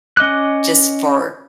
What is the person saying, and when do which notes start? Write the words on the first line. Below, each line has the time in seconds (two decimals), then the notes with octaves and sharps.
just for
0.17 C#4 D#5 D6 F#6